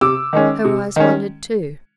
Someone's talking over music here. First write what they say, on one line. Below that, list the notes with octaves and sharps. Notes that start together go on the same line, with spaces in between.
Her eyes wandered too.
C3 D6 E6
D#3 G#3 C#4
C3
D#3 G#3 C#4